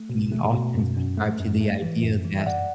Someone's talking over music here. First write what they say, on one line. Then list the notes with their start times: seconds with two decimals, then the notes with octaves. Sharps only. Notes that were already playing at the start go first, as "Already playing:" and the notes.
we often subscribe to the idea that,
Already playing: A3
0.10 B2
0.32 A3
0.53 B2
0.74 F#2
0.97 F#2
1.18 A3
1.40 F#2
1.61 A3
1.82 E3
2.03 F#2
2.25 E3
2.38 E5
2.46 F#2 D5 F#5